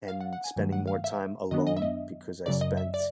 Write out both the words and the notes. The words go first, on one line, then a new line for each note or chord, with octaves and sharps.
and spending more time alone because I spent
F5
F#5
F#5
G#5
G2 D#3 F#3 A3
F#5
F5
E5
F#2 D#3 F#3 B3 D4 D#5
D#5
E5
D#5
F#2 C#3 F#3 D5
D#5
E5
D5